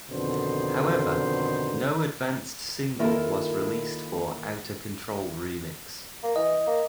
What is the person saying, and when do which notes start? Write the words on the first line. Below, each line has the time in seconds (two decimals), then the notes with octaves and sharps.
However, no advanced single was released for "Outta Control Remix".
0.10 F2 B2 D3 D#3 C5
2.99 D#3 A#3 E4 F4 A4 A#4
6.23 A#3
6.36 E3 D#5
6.67 A#3